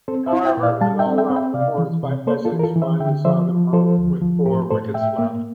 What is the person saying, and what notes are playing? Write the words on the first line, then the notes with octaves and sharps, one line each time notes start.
However, an all-round performance by Essex finally saw them home with four wickets left.
C4 A4 C5
C5 E5
E4
E5 G5
A#2
D5 F5
G3 F5 A5
E5 G5
C4
E5 G5
C4
E5 G5
C3 D5 F5
E3
C3
A#3 A4 C5
F4 A4
E3
A#4
F4 A4
E3
C5 E5
D3 E5 G5
F3 C5 E5
F3
F3 A4 C5
D2
F3
A2 G4 A#4
A2 A4 C5
A2 E5 G5
A#3